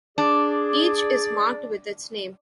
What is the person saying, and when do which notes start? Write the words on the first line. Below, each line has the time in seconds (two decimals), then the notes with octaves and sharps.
Each is marked with its name.
0.18 D4 G#4 D5